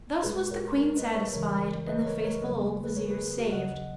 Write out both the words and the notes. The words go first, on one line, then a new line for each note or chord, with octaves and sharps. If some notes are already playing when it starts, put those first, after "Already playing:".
Thus was the Queen satisfied, and the faithful old vizier saved.
A#2 G#3 G#4 B4
A#4 C#5
A#4 C#5
B4 D#5
C#5 E5
E2 C#3 E3 G#3 A#4 C#5
B4 D#5
A#4 C#5
A#4 C#5
E2 C#3 F#3 A#3 B4 D#5
G#4 B4
A#4 C#5
G#4 B4
G#4
F#4 A#4
D#2 C#3 F#3 D#5 F#5